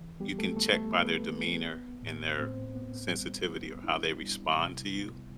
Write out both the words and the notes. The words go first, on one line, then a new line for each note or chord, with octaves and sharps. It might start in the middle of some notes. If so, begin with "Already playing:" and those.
You can check by their demeanor and their sensitivity, or how they respond to you
Already playing: E3
G3 B3 G4
A3 A4
A3 B3 A4
A3 A4
B3 B4
B3
B3
A2
A2 C4 C5
B3
G3
B3
D4 E4
G3
C3
B3